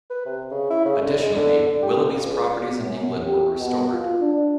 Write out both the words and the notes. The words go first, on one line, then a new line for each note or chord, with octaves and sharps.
Additionally, Willoughby's properties in England were restored.
B4
C3
C#3
E4
C#3
D3
G#3
D3
D3
G4
F2
C#2
F#2
G4
B2
F4
D4